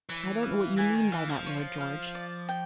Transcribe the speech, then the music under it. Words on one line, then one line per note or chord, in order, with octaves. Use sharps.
"I don't know what you mean by that, Lord George."
E3 C#5
F5
E3 G#5
D#3
E3 F5
F3
C#5
F5
D5
G5